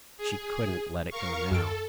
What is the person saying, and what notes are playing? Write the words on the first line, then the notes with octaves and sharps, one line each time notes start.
She couldn't let it go now.
G#4
A#4 F5 C#6
F#2 A4 F6 D7